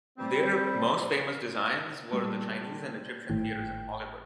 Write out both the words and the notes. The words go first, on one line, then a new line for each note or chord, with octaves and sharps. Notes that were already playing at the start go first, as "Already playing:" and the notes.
Their most famous designs were the Chinese and Egyptian Theaters in Hollywood.
G3 C4
A#2 G3 F#4 G#4 A5
G#1 A2 G5